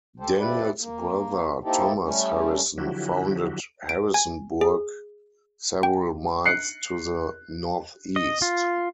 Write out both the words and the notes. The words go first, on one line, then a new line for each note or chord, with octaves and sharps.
Daniel's brother Thomas Harrison founded Harrisonburg several miles to the northeast.
G4 A4 C5
F2 F3 E4 G4 B4 D5
A#3
A#3 C4 D#4 E4 G4 A4
G3 A3 C#4
D3 F3 F#3 E4 F#4 G4
D7
G#5
G#4
G5
F#6 C7 C#7
D#5
F4